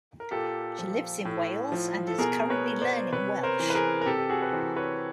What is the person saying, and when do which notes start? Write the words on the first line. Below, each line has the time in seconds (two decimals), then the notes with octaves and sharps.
She lives in Wales and is currently learning Welsh.
0.20 A#4
0.31 A#2 G4 A4
0.79 F3
1.25 A2
1.72 F3
2.07 A4
2.19 B2 G#4 A#4
2.50 B4 C#5
2.81 C5 D5
3.12 C3 B4 C#5
3.43 A#4 C5
3.60 E3
3.70 B4
3.75 G#4 A#4
4.02 A#4
4.06 C3 G4 A4
4.18 G4
4.29 F#4 G#4
4.42 B4
4.53 E3 A#4 C5
4.76 B4 C#5